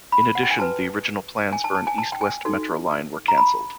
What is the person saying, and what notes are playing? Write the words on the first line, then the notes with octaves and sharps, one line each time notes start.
In addition, the original plans for an east-west metro line were cancelled.
B5
F#5
G5
G#5
F#4 B4 A5
G#5
A5
A5
G#5
A5
G5
G#5
D#4 F#4 A4
A#5
B5